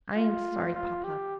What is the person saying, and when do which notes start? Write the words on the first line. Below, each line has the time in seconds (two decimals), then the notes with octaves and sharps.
'I am sorry, papa.
0.16 F4
0.75 F4
1.04 G4